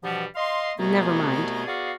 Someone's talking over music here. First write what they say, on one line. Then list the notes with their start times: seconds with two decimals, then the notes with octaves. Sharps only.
Never mind.
0.03 G2 B2 E3 F3 G3 F#5
0.35 D#5 F5 C6
0.78 C2 B2 A3 B3 G#4 A#5
1.67 B3 F#4 G#4 D5 F5